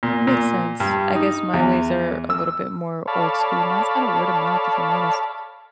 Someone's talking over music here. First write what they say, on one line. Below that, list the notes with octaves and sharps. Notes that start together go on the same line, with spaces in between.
It makes sense. I guess my ways are a little bit more old school. Mine's kinda word of mouth, if I'm honest.
A#2
A#2
G2
D#4
E2
E6
A4 C#5 D5 F5 A5 B5